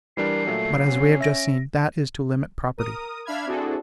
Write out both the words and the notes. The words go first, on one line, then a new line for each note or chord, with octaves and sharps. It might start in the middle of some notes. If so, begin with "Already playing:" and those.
But, as we have just seen, that is to limit property.
E3 G3 D4 A#4 C7
A#2 F#3 A3
C#4
E5 A#6 D7
A#4 D#6
D4 E5 F5 B5 F6 G#6
C4 D4 E4 F#4 G#4 A4